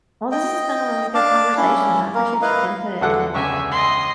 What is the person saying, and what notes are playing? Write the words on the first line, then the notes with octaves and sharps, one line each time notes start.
Well, this has been a really good conversation. I appreciate your input, and
D#5 G5
D4 F5 A5 D6
C#4 E4
A#3 A#4
E4 B4 D#5 F5
E2 D3 F#4 A4 F#5
C#2 E5 G#5 C#6
D#5 C6